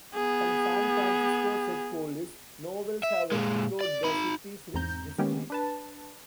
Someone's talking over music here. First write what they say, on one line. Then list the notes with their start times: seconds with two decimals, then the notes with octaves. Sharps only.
Some San Francisco-set police novels have explored The City's rich history.
0.15 B3 G#4
3.03 E5
3.32 A#2 G#3
3.81 D5
4.04 D#4 B5
4.74 E2 G#2 C4 A#5 G6
5.18 D#3 G#3 A#3 B3 C#4 G4
5.50 D4 B4 A5